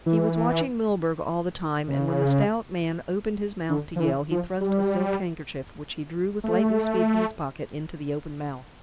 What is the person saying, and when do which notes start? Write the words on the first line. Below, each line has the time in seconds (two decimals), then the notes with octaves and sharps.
He was watching Milburgh all the time, and when the stout man opened his mouth to yell he thrust a silk handkerchief, which he drew with lightning speed from his pocket, into the open mouth.
0.06 E3
1.88 C#3
3.70 D3
3.96 F3
4.00 E3
4.31 F3
4.61 G3
6.44 A3